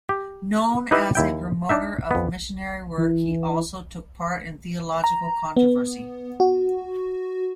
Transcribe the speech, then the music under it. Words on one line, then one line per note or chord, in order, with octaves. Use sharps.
Known as a promoter of missionary work, he also took part in theological controversy.
G4
D#4 E4 G4 B4 D#5 E5
D#2 E4 G5
D4 D#4 E5
F2 B3
E3
A#5
B3
F#4